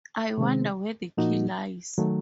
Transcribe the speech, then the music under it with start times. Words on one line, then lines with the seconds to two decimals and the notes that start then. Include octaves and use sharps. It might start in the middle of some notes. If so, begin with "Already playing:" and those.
I wonder where the key lies.
0.38 C3 D#3 G#3 C4
1.17 A#2 F3 A#3 D#4 F#4
1.98 D#3 F#3 A3